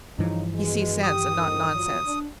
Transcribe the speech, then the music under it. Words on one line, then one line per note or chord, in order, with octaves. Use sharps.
He sees sense, and not nonsense.
G2 C#3 E3 F3 D#4
B2 G#3
G4 D#6
F2 D#3
F#3 F4 C#5
D4